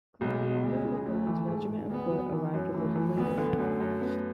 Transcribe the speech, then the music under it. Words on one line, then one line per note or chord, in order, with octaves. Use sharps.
Colonel Robert Lilburne's regiment of foot arrived a little later.
B1 G#3
B2
D2 G#3
C#3
D2 A3
E3
G#2
G#2
D2 B3
F#3
E3
F#2
E3 A3
E3
D2 B3
D3
F#2 A3
F#2
B3